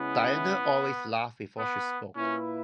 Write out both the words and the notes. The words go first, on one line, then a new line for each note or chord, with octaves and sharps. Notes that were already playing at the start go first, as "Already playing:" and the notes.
Diana always laughed before she spoke.
Already playing: C#3 G#3 B3 C#4 E4
B3
A#2 A#3 C#4 E4 B4